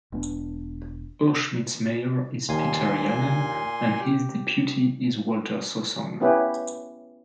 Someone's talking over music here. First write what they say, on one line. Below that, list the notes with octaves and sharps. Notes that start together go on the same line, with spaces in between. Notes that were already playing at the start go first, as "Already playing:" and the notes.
Urschmitt's mayor is Peter Jahnen, and his deputy is Walter Sossong.
E1 B3 C#4 D4
D#2 A#2 G#5 C6
G4
B3 C#4 E4 G4 B4